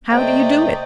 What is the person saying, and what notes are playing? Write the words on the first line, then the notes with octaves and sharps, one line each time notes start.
How do you do it?
C3 A3 A#3 C5 D5 D#5 G5